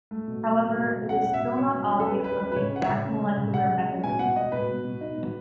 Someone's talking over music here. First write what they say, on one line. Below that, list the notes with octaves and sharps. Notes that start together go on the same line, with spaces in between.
However, it is still not obvious what the exact molecular mechanism is.
A3
B2
A3
B2
B2
B2
C#4 F#5
B2 F#5
E5
B2
B2 C#5
B2
C#4
A4
G#3 B4
C#4 B4
G#3 B4
B4
C#3 C#5
C#4 F#5
E5
C#3
C#4
C#3
C#3
C#3 F#5
G#3
C#4
B2 G#5
B2 F#5
B2 D#5
B2 B4
B2
B2
D#4
B2